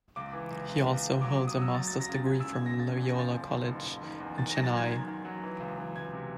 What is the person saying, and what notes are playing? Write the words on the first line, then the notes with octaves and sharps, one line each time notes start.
He also holds a master's degree from Loyola College in Chennai.
C#2 D6
E3
C#2
C#2
C#2
C#2
F#3 D6
F#3 D6
D#6
F#3 E6
F#3 A6
F#3 A6
A#6
C#3 A6
C#3 G#6
E1 E6
G#6
E1 A#6
C#3 A6
E2 G#6
A#6
F3 A6
F#1
D#3
F#1
F#1
D#3
E2
D#3 A6
A#6
F#3
A6
D#3 G#6
F#3 G#6
D#3
F#3
E3
C#2
E3
C#2 G#6
C3